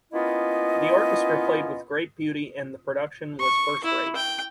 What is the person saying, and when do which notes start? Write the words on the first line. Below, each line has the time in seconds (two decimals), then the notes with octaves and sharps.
The orchestra played with "great beauty" and the production was first rate.
0.13 A#3 B3 C#4 E4 F4 D#5
3.40 C#6
3.84 E4
4.15 G5